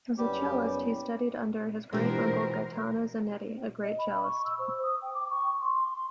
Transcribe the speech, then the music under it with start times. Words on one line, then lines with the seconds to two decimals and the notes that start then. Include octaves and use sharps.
As a cellist, he studied under his great-uncle, Gaetano Zanetti, a great cellist.
0.18 F#1 C#3 G3 B3 G4
1.93 B2 E3 F3 G#3 D4 G4 A#4 C5
3.83 D#5
3.99 B5
4.24 C#6
4.45 E6
4.59 C5
4.83 D#6
5.02 G5
5.14 D6
5.30 C#6
5.61 C6
5.93 C6